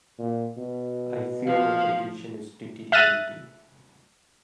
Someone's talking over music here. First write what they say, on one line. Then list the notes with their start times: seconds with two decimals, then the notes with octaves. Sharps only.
I fear my condition is deteriorating.
0.18 A#2
0.57 B2
1.46 F3 F5
2.92 E5 F6 F#6 A6 A#6 D#7